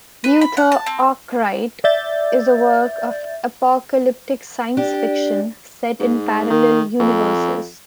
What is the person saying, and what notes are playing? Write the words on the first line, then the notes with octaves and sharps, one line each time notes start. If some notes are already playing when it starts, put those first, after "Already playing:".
"Luther Arkwright" is a work of apocalyptic science fiction set in parallel universes.
B4
B5
F#5
A5
C4
D5 E5 G6 A6
D4 G4
G#2
D#3
F2